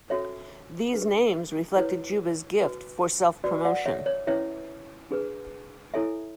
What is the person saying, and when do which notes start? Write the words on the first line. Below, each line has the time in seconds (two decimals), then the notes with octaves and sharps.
These names reflected Juba's gift for self-promotion.
0.10 C#4 F#4 A4 C#5 E5
0.94 D4 G#4 B4
1.77 E4 B4 C#5
2.61 F#4 B4
3.44 F#4 B4 D5
3.65 D5 F#5
3.86 C#5 E5
4.06 C#5
4.27 C#4 E4 B4 C#5 E5
5.11 D4 G#4 B4
5.94 E4 A4 C#5 E5 G#5